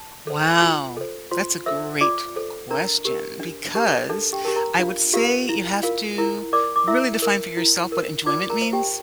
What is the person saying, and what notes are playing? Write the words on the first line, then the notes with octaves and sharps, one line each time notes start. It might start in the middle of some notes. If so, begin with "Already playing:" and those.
Wow! That's a great question because I would say you have to really define for yourself what enjoyment means.
Already playing: A5
A4 C5
F4
A4 C5
F4 C5 C6
A4 C5 E5 E6
F4 D5 D6
A4 C5
D4 A#4 A#5
G4 A#4
D4
G4 A#4
D4 A4 A5
G4 G5
G4 A#4 A5
A#4 A#5
D4 F4 F5
F4 G4 A#4 F5
E4
F4 A#4 F5
E4 A#4 A#5
A#4 D5 D6
D6
E4 E5 E6
A#4
E4
A#4
F4 D5 D6
A#4 A#5
C5
G4 G5